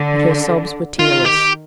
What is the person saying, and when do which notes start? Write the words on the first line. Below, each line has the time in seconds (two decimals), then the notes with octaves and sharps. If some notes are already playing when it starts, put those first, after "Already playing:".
But her sobs were tearless.
Already playing: D3
0.99 D#3 F4
1.25 G4